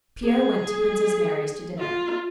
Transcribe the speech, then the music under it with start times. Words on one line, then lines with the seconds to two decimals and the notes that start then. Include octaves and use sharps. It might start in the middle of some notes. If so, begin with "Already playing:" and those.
Pierre went to Princess Mary's to dinner.
0.24 G#4
1.78 F4